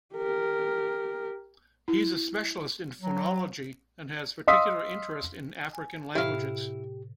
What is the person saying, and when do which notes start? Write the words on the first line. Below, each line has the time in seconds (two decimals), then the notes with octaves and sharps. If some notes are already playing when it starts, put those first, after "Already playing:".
He is a specialist in phonology, and has particular interest in African languages.
0.14 G4 A#4
1.88 E4
3.01 F#3
4.48 D#5 F5 C6 D#6 E6 B6
5.73 G#5
6.15 A2 C3 E4 G4 F5